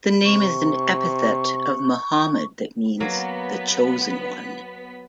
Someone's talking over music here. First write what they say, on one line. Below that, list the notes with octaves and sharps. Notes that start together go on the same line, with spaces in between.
The name is an epithet of Muhammad that means, "The Chosen One".
C3 C#6
F#3 A#3 B3 B6